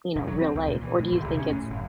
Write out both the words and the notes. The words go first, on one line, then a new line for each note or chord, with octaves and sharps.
you know, real life, or do you think it's
E1
F#3
C4
C#2
A#2
E3
A2
D#1
C2
C#4
A2
F#1